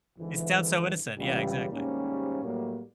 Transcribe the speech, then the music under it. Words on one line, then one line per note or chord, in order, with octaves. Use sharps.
It sounds so innocent. Yeah, exactly.
G#1 G#2 D3 E3
C#2 C#3 E3 G3
D#2 G#2 C3 G3 A#3 C#4
A2 F#3 G3 A#3